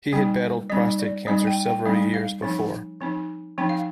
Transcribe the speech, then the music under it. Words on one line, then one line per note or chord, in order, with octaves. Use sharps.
He had battled prostate cancer several years before.
G3 C4 D#4 G5
G3 C4 D#4 D#5
D5
G3 C4 D#4 D#5
G5
G5
G3 C4 D#4 F5
F5
F3 C4 D#4
F3 C4 D#4
F3 C4 D#4 G5
F5